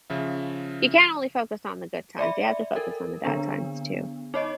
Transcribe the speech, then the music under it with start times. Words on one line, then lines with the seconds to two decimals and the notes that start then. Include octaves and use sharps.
you can't only focus on the good times, you have to focus on the bad times, too.
0.10 C#3 F3 E5
2.19 D5 E5 B5
2.76 A4 A#4
3.24 D3 B3 D4
4.34 D#4 C#5 D#5